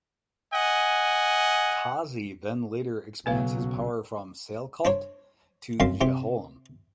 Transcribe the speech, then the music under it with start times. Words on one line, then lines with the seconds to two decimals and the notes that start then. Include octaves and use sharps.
Tazi then later expands his power from Sialkot to Jhelum.
0.53 D#5 F#5 G#5
3.26 B1 C#3 F#3 B3 B4 F5
4.85 D4 C5 C#5
5.80 F#2 D3 C4 F5 C6
6.01 C3 G4 C5